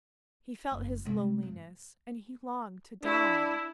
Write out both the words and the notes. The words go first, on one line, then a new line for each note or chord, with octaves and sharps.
He felt his loneliness and he longed to die.
F#1
C3 G#3
G2
D4 E4